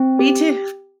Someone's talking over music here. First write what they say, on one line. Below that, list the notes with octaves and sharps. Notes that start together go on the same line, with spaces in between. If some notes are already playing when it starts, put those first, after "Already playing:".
Me too.
Already playing: C4
G4